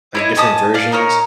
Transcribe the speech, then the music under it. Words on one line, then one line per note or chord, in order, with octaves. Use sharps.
like, different versions.
E4 C#5 D#5
C#4 D#5 A5 D#6
D5 F5
D#4 A#4 C#5